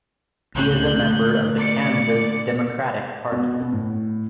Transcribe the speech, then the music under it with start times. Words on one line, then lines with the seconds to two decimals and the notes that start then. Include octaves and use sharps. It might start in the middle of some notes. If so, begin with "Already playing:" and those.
He is a member of the Kansas Democratic Party.
0.55 C#2 A2 F#6 G6
0.93 D3 A3
1.58 D5 C#7
3.32 B2
3.60 B3
3.72 A2